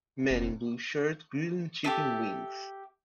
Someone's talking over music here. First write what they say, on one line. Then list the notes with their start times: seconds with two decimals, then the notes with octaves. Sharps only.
Man in blue shirt grilling chicken wings.
0.30 F1
1.84 G4 A4 E5